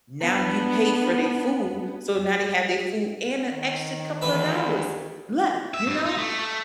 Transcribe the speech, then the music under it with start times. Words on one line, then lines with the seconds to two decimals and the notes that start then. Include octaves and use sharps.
now you pay for their food. So now they have their food and an extra couple of dollars left, you know?
0.20 B3 D4
3.52 D#3
4.22 D2 E3 B4 E5
5.74 E5
5.87 G2
6.06 D#4
6.18 A3
6.39 A3